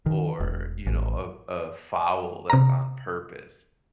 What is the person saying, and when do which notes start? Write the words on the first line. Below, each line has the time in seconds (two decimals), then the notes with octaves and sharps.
or, you know, a a foul that's on purpose.
0.06 D#3
0.40 E1
0.87 A1
2.50 C3 A#5